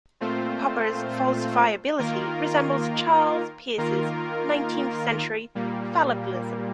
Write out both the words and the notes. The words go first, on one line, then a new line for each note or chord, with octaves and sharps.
Popper's falsifiability resembles Charles Peirce's nineteenth century fallibilism.
A#2 A3 C4 F4 C5
D#3 A#3 F4 A#4
D#3 A#3 F4 A#4
A#2 G3 A#3